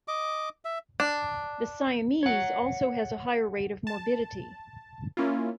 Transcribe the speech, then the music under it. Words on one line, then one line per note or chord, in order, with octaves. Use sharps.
The Siamese also has a higher rate of morbidity.
D#5 D6
E5
D4
C#5 F#5
A5
A#3 C#4 E4 F4